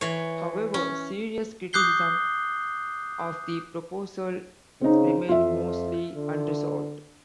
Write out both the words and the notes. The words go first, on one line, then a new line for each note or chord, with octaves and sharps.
However, serious criticisms of the proposal remained mostly unresolved.
E3 C#5
C#4
D6 D#6 F#6 G6 C7 G7
C#3 C4 D#4
F2 F4 E5
D3